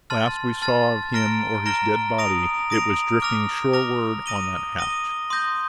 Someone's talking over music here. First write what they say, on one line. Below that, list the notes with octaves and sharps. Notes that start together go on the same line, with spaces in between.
The last we saw of him or his dead body it was drifting shoreward on that hatch.
A5 C6 F6 A6
A5 C6 F6 A6
A#5 F6 A#6 D7 G7
A#5 F6 A#6 D7 G7
D#6 A#6 D7 F7
D#6 A#6 D7 F7
D6 F6 A#6 F7
D6 F6 A#6 F7
D#6 A#6 D#7 G7
D#6 A#6 D#7 G7
C6 D#6 G6 A#6